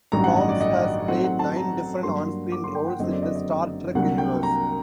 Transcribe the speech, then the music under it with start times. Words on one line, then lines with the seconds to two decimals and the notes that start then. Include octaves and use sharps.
Combs has played nine different onscreen roles in the "Star Trek" universe.
0.12 A1 G2 D#3 F#3 A#5
0.24 F#5
0.36 D#5
0.49 D5
0.61 D#5
1.08 A2 F#3 C4 D#4 F#5
1.24 F#5
1.39 A5
1.56 A#5
2.03 G2 F#3 A#3 D4 C6
2.52 D6
2.64 C6
2.75 G5
2.87 F#5
2.99 F#1 F#2 D3 F#3 C4 D#5
3.12 D5
3.22 D#5
3.36 D#5
3.95 C2 C3 F#3 A#3 D4 F#5
4.18 G5
4.43 A#5